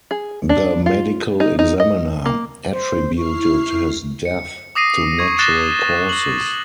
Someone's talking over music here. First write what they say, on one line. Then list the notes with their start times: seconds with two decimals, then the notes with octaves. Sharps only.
The medical examiner attributed his death to natural causes.
0.11 G#4
0.49 D4
0.86 F4
1.40 D#4
1.59 D#4
1.80 D#5
2.26 A#3
2.71 C5
3.18 E4 C#6 F6 C7
4.25 C#7
4.75 D6 D#6 A#6 C7 D#7
5.19 C#6 G#6
5.39 D6 F#6 A6 A#6 E7 G7
6.09 F#7